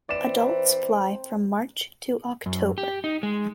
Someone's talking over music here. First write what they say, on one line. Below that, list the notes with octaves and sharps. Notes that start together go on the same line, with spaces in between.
Adults fly from March to October.
E3 C4 B4 C#5 D5 E7
C5 A#5
F#2
G4
D#4
G#3